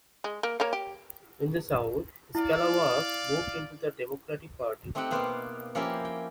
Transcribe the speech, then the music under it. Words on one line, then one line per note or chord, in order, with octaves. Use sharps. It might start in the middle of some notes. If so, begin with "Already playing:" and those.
In the South, Scalawags moved into the Democratic Party.
G#3
A#3
A#3 C#5 F5
G4
E4 D5 F5
A3 C4 D#4 G4 F#5 G5
B2 A#3 B3 C5 F5
F3 A#3 C#4 E4 G4 A#4
G5